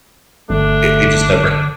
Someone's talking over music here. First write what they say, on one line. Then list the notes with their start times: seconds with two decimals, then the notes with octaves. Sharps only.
It it just never ha
0.50 G1 D3 A3 D4